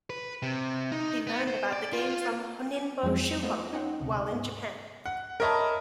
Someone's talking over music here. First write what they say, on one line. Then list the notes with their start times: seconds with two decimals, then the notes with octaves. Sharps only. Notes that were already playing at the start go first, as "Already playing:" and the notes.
He learned about the game from Honinbo Shuho while in Japan.
0.10 B4
0.42 C3
0.92 D#4
1.27 B3
1.47 C5
1.73 D5
1.93 F4
2.73 G#5 D6
3.03 F2 F3 F#3 G#3 C4
3.43 A3 B3 C4 F4 C5 D#5
3.73 C#4 D#4 D#5 F#5 G5 C6
4.00 D2 C3
4.32 G#2 B3
5.06 F#5
5.40 A#4 C#5 D#5 E5 A5 B5